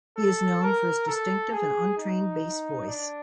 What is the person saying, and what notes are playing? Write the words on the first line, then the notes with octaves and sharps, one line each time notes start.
He is known for his distinctive and untrained bass voice.
A4
A#4
A4
G#4
D#4
D4